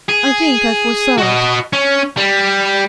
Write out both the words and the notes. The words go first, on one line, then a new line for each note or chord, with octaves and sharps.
I think I foresaw it.
G#4
F#4 D#5
C#4
G3